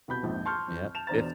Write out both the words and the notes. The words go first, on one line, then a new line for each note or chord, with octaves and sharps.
Yeah, fif
C2 B2 B5 G6
A#1 F2 G#2
A5 C6 C#6 F6 G6
F2
A5 E7 F7
E1 D4 C5 A#5 A6